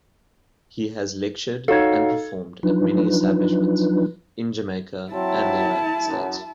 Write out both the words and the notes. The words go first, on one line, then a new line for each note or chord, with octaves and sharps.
He has lectured and performed at many establishments in Jamaica and the United States.
D#4 F#4 A4 C#5 F5 G#6
F3 F#3 D4 D#4 F4 B4
F#3 C4 E4 A5
F#2